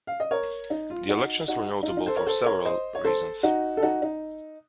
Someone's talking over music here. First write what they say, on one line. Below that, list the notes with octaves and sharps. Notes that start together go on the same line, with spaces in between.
The elections were notable for several reasons.
F5
D#5
A#4 C#5
D#4
F4
D#4 F#4
D#4 F#4
D#4
F4
D#4
A4 C5
A#4 C#5
A4 C5
A#4 C#5
C5 D#5
C#5
A4 C5
D#4 F#4
A4
D#4 F#4
D#4